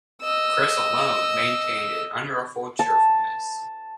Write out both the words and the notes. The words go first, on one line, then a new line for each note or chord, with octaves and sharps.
Chris alone maintained an unruffled cheerfulness.
D#5 E6
A5